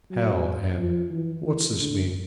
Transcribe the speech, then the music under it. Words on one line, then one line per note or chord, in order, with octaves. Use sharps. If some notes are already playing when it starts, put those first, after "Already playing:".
"Hell and--What's this mean?"
F#3
F3
E3
E3
D3